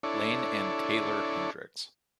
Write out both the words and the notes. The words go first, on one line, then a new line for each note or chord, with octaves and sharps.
Lane and Taeler Hendrix.
D4 E4 A4 C#5 D5